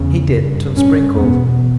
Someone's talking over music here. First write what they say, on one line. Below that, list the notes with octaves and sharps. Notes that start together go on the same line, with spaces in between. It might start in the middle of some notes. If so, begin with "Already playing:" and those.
He dipped and sprinkled.
Already playing: E2 C#3
G2
C#4
E2 B2 B3